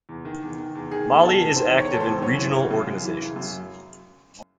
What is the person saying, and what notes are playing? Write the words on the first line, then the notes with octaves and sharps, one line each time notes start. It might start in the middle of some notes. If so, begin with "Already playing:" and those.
Mali is active in regional organizations.
E2
D#3
E2
D#3
E2
D#3 G#4
E2
D#3 A4
E2
D#3 C5
E2 C#5
D#3
A4
E2 C5
F#2 C#5
E3
C#3
F#2
F#2
E3
C#3
F#2